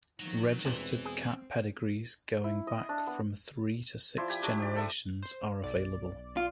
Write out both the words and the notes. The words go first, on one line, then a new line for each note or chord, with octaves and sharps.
Registered cat pedigrees going back from three to six generations are available.
D#3 F3 F#3
E1 A1 G2 A#2 E3 B3 C4
G#4
E4
D#5
D4
B3
F3 E4 C5 D5
G4 G#5
F#3 D4 G4
G4 D5
A4 E5 D#6
C5
B1 D5
F4